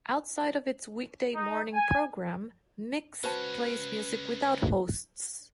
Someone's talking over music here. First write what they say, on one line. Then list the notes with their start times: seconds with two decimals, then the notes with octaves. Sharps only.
Outside of its weekday morning programme, Mix plays music without hosts.
1.35 D#4
1.74 G#5
3.24 C#2 C#4 F#4 B4 C5 A5